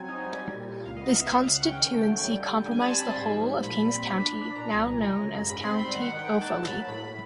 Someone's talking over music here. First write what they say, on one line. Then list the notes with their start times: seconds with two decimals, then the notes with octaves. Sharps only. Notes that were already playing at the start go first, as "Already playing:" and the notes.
This constituency comprised the whole of King's County now known as County Offaly.
Already playing: F#3 C4 G#5
0.08 D#4
0.24 G3
0.38 G3
0.54 A#2
0.69 A#2
0.85 C#2 F5
0.97 B3 D#5
1.09 F5
1.17 C#2 E5
1.31 C#3 E5
1.42 C#3 F5
1.54 F#5
1.62 C#4 G5
1.78 D#3 G5
1.93 A3
2.08 F#3
2.24 G3
2.40 D3
2.55 G3
2.70 G3 G#5
2.82 C4 A5
2.94 B5
3.02 G3 C6
3.18 G#2
3.32 F3
3.48 F3
3.63 A#2 B5
3.78 G3
3.94 C4
4.10 D4
4.25 D4
4.41 D4
4.55 A#2 A#5
4.72 C2
4.87 A#2
5.02 G#3
5.18 C#3
5.33 F#2
5.49 G#2 B5
5.64 C4 C6
5.79 G3 B5
5.95 D#3 F#5
6.11 D#3
6.19 G5
6.27 G#3
6.41 A#3 A5
6.57 F#3
6.65 B5
6.72 F#3
6.87 A2 B5
7.03 A2